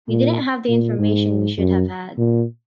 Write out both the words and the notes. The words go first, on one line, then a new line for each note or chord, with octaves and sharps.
We didn't have the information we should have had.
A#2
A#2
G#2
F#2
A#2